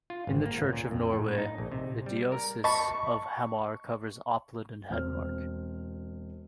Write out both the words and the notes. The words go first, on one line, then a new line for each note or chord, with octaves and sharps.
In the Church of Norway, the diocese of Hamar covers Oppland and Hedmark.
F4
G#1
A#3
C#2
A#2
F2
A2
D#4
A#1
C3
G3
A#4
D#5 A5 B5 C#6
E1 C4 F6